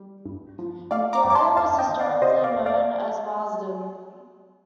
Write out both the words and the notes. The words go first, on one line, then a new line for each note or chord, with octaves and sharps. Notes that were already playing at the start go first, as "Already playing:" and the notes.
The area was historically known as Marsden.
Already playing: G3
G2
F3
A3 D5 F5
A#5 D6
G2
D6
A5 C6
F2 F5 A5
D#5 G5
D#3
D5 F5
C3 C5 D#5
D5 F5
F2
D5 F5